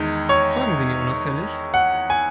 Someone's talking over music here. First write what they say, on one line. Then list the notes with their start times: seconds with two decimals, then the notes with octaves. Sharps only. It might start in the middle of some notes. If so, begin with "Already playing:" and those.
Folgen Sie mir unauffällig.
Already playing: E2 D#3 G#3 D#4
0.29 C#5
1.74 F#5
2.10 G#5